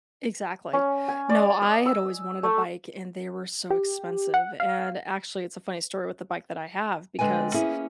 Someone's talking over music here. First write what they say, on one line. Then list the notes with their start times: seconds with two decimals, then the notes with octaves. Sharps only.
Exactly. No, I had always wanted a bike and they were so expensive. And, actually, it's a funny story with the bike that I have, because
0.73 C#4
1.08 G#5
1.29 D5
1.62 D#5
1.86 E6
2.43 A3
3.70 G4
4.34 F#5
4.60 F5
7.19 D3 G#3 B4 G5 G#5
7.54 A#3 B3 C#4 E4 G#4